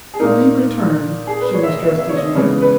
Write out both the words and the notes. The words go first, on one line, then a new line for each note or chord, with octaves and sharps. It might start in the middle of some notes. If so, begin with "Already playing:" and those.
When he returned she was dressed as usual.
G#4
A#2 A#3 D#4 A#4
G#4
B4
C#5
E5
D#5
E5
E5
C#5
D#5
C#3 E3 G#3 B3 C#5
B4